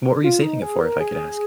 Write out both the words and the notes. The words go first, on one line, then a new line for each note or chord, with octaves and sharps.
What were you saving it for, if I could ask?
F4
D#4
G#4
A#4
G#4